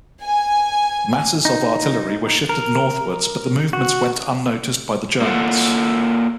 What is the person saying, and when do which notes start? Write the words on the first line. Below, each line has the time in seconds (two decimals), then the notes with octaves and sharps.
Masses of artillery were shifted northwards, but the movements went unnoticed by the Germans.
0.24 G#5
1.45 D#4
2.49 A#4
3.73 F#4
5.21 A#3 F4 A4 F#5